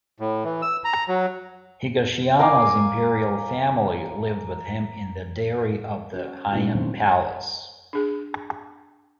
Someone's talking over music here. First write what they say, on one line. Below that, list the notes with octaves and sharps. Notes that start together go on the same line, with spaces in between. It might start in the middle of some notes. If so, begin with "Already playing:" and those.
Higashiyama's Imperial family lived with him in the Dairi of the Heian Palace.
A2
E3
E6
A#5
F#3
A#4 F5 G#5 D6
C#4 F#4
A#2 A3 C#4 D#4 E4 F#4
D#3 B3 C4 D4 C5
D4 G#4